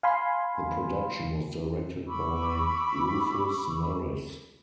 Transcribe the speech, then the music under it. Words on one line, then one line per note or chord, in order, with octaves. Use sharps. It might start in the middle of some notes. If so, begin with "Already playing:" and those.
The production was directed by Rufus Norris.
F5 G#5 B5 C6
B5 C#6 D6 E6